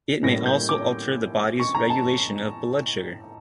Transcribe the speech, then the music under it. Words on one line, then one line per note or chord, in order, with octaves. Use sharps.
It may also alter the body's regulation of blood sugar.
A2 G3 A#3 C#4 A#6
G6
D6
C#6
A#5
A5